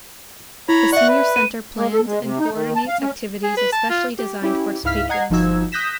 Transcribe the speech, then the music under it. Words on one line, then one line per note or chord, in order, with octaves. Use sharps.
The Senior Center plans and coordinates activities especially designed for its patrons.
E4 C#5 A#5 B5
D5 E5 F#5 C#6 F#6
B4
D#7
A#3
A4
G#3
C3
D#4
D#3
A5
F5
C#4
G#4
B4
A5
F4
G4
C#4 E4 G4
C#2 G#2 E4 F5 F6 B6
D#5 F#5 A#5 G#6 C7
G1 F3 D#4 F#4 E6 G#6
D#6 F#6 G6 A#6 B6 E7